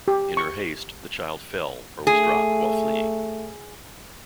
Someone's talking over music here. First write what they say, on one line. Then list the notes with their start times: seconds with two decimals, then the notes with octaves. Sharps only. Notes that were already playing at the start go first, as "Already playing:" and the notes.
In her haste, the child fell, or was dropped while fleeing.
0.08 G4
0.37 C#6
2.07 A3 G#4